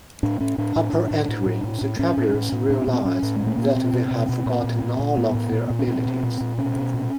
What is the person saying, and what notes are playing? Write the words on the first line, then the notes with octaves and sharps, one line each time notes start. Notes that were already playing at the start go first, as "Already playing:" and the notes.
Upon entering, the travelers realize that they have forgotten all of their abilities.
A2 D4
A2 C#4
A2 D4
A2
A2
A2
A2
A2
A2
A2
A2 C#4
A2
A2
A2
A#2 D4
C#4
A#2 B3
C4
A2 C#4
A2
A#2 G#3
A3
A#2 A#3
B3
B2 C4
B2
B2
B2
A#2
A#2
A#2
A#2
A2 B3
A2
A#2
A#2
C#4
B2 C4
B2
A#2
A#2
B2 C#4
B2
A#2